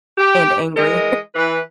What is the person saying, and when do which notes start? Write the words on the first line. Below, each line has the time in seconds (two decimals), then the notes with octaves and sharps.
And angry.
0.18 G4
0.76 E3 G#3 A#4 D#5
1.34 E3 B4